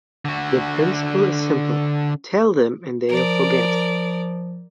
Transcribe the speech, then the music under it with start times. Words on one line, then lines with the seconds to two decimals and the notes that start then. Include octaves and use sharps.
The principle is simple: Tell them and they'll forget.
0.25 D3 F#4
3.09 F3 A#4 D5